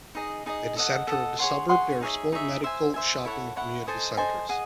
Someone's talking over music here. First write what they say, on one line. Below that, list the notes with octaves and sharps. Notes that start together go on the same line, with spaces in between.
At the centre of the suburb there are small medical, shopping and community centres.
D#4 G#4 D#5
D#4 G#4 D#5
A4 D#5 F#5
A4 D#5 F#5
G#4 C#5 F#5 C6
G#4 C#5 F#5 C6
D#4 G#4 C#5 E5
D#4 G#4 C#5 E5
C5 E5 G#5
C5 E5 G#5
E4 A4 C#5 F#5
E4 A4 C#5 F#5
A4 C5 D#5 G#5
A4 C5 D#5 G#5
G#4 D#5 F#5